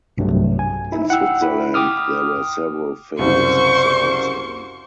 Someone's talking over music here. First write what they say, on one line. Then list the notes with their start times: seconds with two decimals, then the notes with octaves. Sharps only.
In Switzerland there were several phases of the home style.
0.18 B1 G2 C3 F#3 A3
0.59 G#5
0.92 D#4 E4
1.10 F#5 G5 E6
1.41 E4 B5
1.74 G5 D6 D#6 F6
3.19 C2 F#2 C#3 C5 C#6